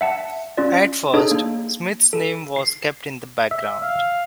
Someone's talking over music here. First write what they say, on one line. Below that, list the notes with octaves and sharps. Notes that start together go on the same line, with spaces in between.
At first, Smythe's name was kept in the background.
E5 F#5 A5
C#4 F4 D5
D4 D#4 G#4 A4 C#5 D#5
A#3
A4
C7
E5
F5